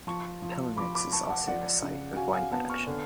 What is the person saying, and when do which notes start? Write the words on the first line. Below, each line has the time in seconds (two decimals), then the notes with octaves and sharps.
Pillnitz is also a site of wine production.
0.07 F3 A5 C#6
0.42 F3
0.77 F3 B5 D6
0.95 B5 D6
1.12 F3 A5 C#6
1.29 F#5 A5
1.47 F3 D5 F#5
1.83 C#3
2.16 F#4 F5 G#5
2.34 F5 G#5
2.52 B3 F#5 A5
2.70 C#6 F6
2.87 D3